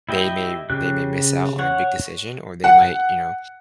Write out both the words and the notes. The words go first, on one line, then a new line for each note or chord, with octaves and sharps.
they may they may miss out on a big decision or they might, you know, uh,
E4 G4 D#5 E5
C#3 G4 F#6
C#5 F#5
F#5